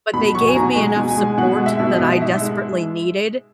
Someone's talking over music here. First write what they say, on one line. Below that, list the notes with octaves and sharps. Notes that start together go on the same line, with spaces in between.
but they gave me enough support that I desperately needed.
B2 B5
F#3 C#6
G#5
B2 A#5
G#3
G#5
B2
G#5
G#3
B2 F#5
G#3
E5
B2
D#5
B2
G#2 E5
G#3